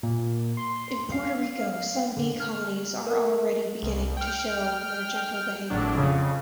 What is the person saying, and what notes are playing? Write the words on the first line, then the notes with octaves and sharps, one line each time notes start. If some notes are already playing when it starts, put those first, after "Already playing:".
In Puerto Rico, some bee colonies are already beginning to show more gentle behavior.
A#2
C6
F5
D3
F6
A#4
C2
G5 F6
G#1 A2 F#3 D4
F2 C#3